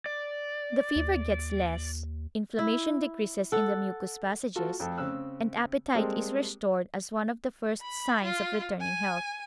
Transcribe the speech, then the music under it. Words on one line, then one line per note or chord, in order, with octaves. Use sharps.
The fever gets less, inflammation decreases in the mucous passages, and appetite is restored as one of the first signs of returning health.
D5
D#2
E4
A4 F#5
F4 F#4 A4
F2 A4
C#3 C4 E6 F#6
G3 G#3 A#3 C4 G#4 A4
B5
F4
G#5